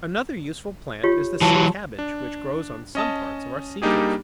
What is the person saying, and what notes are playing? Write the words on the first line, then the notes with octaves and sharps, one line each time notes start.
Another useful plant is the Sea Cabbage, which grows on some parts of our sea coast.
F4 G4 C#5
E3 F#3 A5
F#4 G4
D4
C#4 D#5 A5
G3 A#3 D4 D#4 G4 G#4